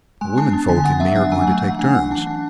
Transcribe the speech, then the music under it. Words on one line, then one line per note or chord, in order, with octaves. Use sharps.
The women folks and me are going to take turns.
G#3 G#5
D4 A5
B3
D3 G#5
B3 F#5
F#3 E5
D4 F#5
F#3 G#5
A3 F#5
E3 F#5
D4 G#5
E3 F#5
D4 A5
D4